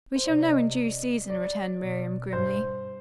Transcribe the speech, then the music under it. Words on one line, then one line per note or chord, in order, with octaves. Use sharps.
"We shall know in due season," returned Miriam grimly.
C5
C3 D5
D#5
D5
B2
G2 C5